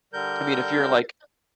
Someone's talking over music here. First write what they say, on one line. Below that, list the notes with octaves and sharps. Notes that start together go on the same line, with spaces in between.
I mean, if you're like
D3 G3 A#4 G6